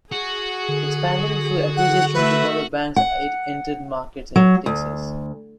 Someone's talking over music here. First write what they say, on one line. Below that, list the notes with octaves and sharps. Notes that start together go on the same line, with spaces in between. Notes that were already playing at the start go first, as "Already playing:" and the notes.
Expanding through acquisitions of other banks it entered markets in Texas.
F#4 G#4
D3
F#5
A3 B4 E5
F#5
F#3
D2